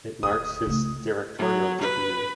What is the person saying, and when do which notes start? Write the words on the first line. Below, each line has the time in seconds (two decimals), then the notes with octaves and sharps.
It marks his directorial debut.
0.23 D1 D#6
0.66 C#3 A3
1.38 F#3
1.81 B4